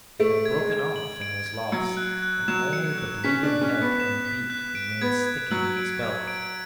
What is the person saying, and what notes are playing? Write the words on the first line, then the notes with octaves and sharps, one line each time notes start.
It had broken off and was lost, and only the bleeding head and beak remained sticking in his belt.
A3 D7
G#6
G#3
G#6
F#7
D7
G#6
F#3 C#7
F#6
F#6
F#3 E7
C#7
F#6
C#4 B6
D4
F#6
C#4
F#6
B3
E7
B6
F#6
D7
B3 G#6
G#6
F#3 F#7
D7
G#6
D7